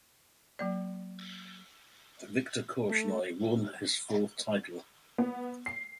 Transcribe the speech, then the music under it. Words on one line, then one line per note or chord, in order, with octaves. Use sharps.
Viktor Korchnoi won his fourth title.
F#3 A#3 D5
A3
B3
C7